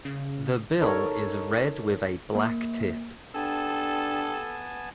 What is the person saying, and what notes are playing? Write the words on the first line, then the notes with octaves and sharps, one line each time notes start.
The bill is red with a black tip.
C#3
D#4 A4 A#4 C#5
A#3
B3 D4 G4 A4 G#5 A5